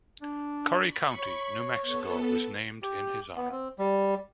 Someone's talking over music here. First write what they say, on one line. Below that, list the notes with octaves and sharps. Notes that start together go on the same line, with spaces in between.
Curry County, New Mexico was named in his honor.
D4
B5 C#6
C#5
B3 A4
G4
B3
C4
G3